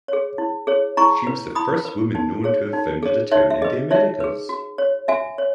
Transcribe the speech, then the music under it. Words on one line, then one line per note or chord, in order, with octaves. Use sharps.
She was the first woman known to have founded a town in the Americas.
G#4 C#5
E4
G#4 C#5
E4 A#5 C#6
B4
E4 B5 D#6
B4
D#4
G#4 C#5
D#4
G#4 C#5
D#4 C#5 E5
E5
G#4 B4 D#5
D#4 C#5 E5
G#4 B4
F#4
C#5
F#4 E5 G#5
C#5